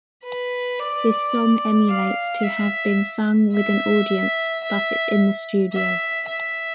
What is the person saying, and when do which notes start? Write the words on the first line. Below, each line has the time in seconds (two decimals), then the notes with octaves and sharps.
This song emulates to have been sung with an audience but it’s in the studio.
0.24 B4
0.80 D5
1.89 F5
2.44 E5
3.54 E5
4.63 E5
5.73 E5
6.28 E5